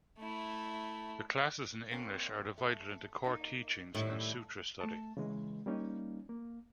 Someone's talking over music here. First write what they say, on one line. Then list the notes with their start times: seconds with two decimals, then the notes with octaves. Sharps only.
The classes in English are divided into Core Teachings and Sutra Study.
0.19 A3 E4
1.91 A#3 C4 C#4
2.58 A3
3.24 A#3 D#4
3.95 A2 D#3 G3 E4
4.81 A3 A5
5.17 C#3 E3 G#3
5.66 G3 A#3 C#4 D#4
6.29 A#3